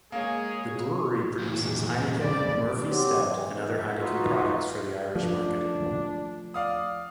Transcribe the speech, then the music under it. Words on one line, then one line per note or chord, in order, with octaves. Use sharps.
The brewery produces Heineken, Murphy's stout and other Heineken products for the Irish market.
G#3 A#3 G#4 C#5
A#2 E3 F#3
C#3 C4 D5
F#3 C4 G4
E3
E5
D#4 F4 F#4 B4
F3 A3 D4
D5 F5 D#6